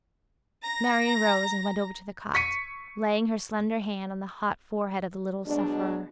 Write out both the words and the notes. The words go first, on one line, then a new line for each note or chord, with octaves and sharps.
Marian rose and went over to the cot, laying her slender hand on the hot forehead of the little sufferer.
A#5 A#6
C#6 B6 C#7 D#7
B2 F#3 G#3 D4